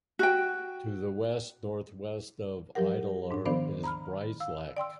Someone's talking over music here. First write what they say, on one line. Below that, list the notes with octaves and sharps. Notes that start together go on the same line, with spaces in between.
To the west-northwest of Ideler is Breislak.
F#4 G5
F3 F#3 G4 A#4 F#5
G#2 D4
D#3 F3 B3 D4 C5 D5
A#5 B5 F6
F5 E6
D5 G5 C6 E6